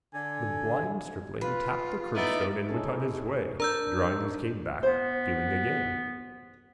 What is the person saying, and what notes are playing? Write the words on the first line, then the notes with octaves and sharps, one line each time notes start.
The blind stripling tapped the curbstone and went on his way, drawing his cane back, feeling again.
D3 G#5
F4 B4
B3 D#4 E4 D5
C#4 D#4 E4 G#4 A4
D4 A#4 A#5 E6 G6
B3 C5